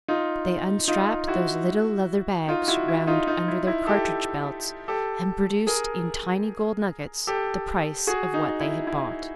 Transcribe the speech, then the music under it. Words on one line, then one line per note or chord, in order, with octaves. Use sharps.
They unstrapped those little leather bags round under their cartridge belts and produced in tiny gold nuggets the price of what they had bought.
D#4 F4
D#4 F4
E4 F#4
D#4 F4
E4 F#4
E4
D#4 F4
D#4 F4
E4
E4
G4 A4
G4 A4
G#4 A#4
G4 A4
F#4 G#4
D#4
E4
E4